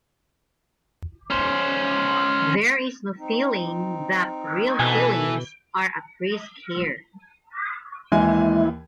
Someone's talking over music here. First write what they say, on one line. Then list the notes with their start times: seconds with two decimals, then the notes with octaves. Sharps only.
There is no feeling that real feelings are at risk here.'.
1.30 C#4 C5
3.18 C4 D#4
4.80 B2 E3 A4 G#5
8.12 D#2 E3 G#3 E4 G#5